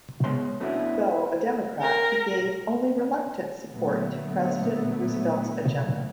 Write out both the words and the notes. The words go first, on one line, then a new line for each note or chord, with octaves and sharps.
Though a Democrat, he gave only reluctant support to President Roosevelt's agenda.
G#3 B3 C#5 C6
A3 B3 C#4 D4 E4 F#4
A#4
A#2 D3 F#3 A3 B3